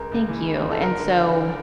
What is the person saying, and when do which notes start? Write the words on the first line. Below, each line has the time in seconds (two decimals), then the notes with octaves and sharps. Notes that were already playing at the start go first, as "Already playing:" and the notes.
Thank you. And so,
Already playing: C#2 C#3 A#4
0.11 C#2
0.29 E3
0.47 C#3
0.64 C#2
0.71 A4
0.81 D3 A#4
0.99 D3